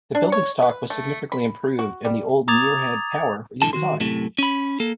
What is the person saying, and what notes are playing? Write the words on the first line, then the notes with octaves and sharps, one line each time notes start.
The building stock was significantly improved and the old Muirhead Tower redesigned.
D4
C#5
B4
A3
B5
F#4
G3
A#5 D6 D#6 G#6 A6 F7
B1 G#2 D3 E3 A5
D#3 F#4 C6
F#2 A2 C3 A3
C#4 B5
A#3 A4